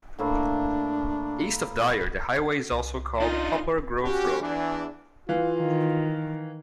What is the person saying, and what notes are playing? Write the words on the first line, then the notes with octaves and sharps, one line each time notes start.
East of Dyer the highway is also called Poplar Grove Road.
A2 A#3 D4 E4
C2
D4 D#4 F4 D#5
C#4 F#4 G4
E2 E3 D4
E3 F4 F5
D#3